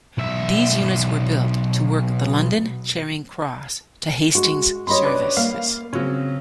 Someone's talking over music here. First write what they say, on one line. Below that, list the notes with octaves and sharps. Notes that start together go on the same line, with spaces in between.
These units were built to work the London Charing Cross to Hastings services.
B1 E5
G#3 F#4
C#4 G4 C#5 D#5 B5 C6
D4 B4 D6
A#3 F5
C#3 F#3 C4 C#4